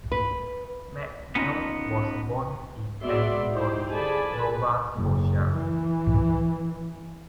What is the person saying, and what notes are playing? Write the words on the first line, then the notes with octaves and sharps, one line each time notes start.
MacNeil was born in Antigonish, Nova Scotia.
B4
B3 C#4 D#4 F4 D#5
G#3 B3 F#4 D5 E5 C6
D#4 E4 G4 C5
D3 G#4 D5 G#5 A5 B5
B4
F#1
E3